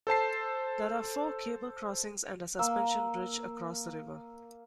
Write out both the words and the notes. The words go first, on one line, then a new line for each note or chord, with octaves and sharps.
There are four cable crossings and a suspension bridge across the river.
A4 C5 A5 C7
A#3 E6